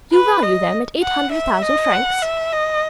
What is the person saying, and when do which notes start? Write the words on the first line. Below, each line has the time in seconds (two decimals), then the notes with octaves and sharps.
"You value them at eight hundred thousand francs?"
0.13 B4
0.43 D#5
1.03 F#5
1.32 E5
1.62 D#5
1.92 F#5
2.22 E5
2.52 D#5